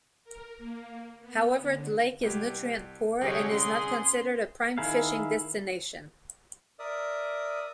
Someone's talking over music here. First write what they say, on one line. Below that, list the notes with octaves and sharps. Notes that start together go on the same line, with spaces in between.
However, the lake is nutrient-poor and is not considered a prime fishing destination.
A#4
A#3
B3
D3
C2 G4
C2 D3 G4 G#4 C#5
C#4 G#4 C6
D#3 E4 G#4 A#4 F5
A#4 D5 E5 D#6